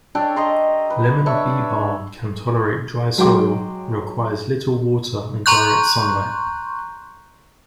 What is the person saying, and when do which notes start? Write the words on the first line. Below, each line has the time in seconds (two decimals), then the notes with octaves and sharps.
Lemon beebalm can tolerate dry soil, and requires little water and direct sun light.
0.15 D4 G4 A4 C#5
0.36 D#5 A#5 C6
0.90 B4
1.26 D4 C#5 E5 C#6
3.18 F#3 G#3 F#4 G5 C6 D6
5.46 A#5 C6 C#6 F#6 G6